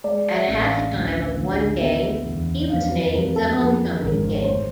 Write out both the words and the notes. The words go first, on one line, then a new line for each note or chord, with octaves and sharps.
At halftime of one game, he was named the Homecoming King.
G#3 D5
E5
A1
F5
D2
D2
B3 E5
E2
F2 F5
B4
F2 A#4
A4
F3 G#4
G#1 A#4
C5
C#5
A3 C5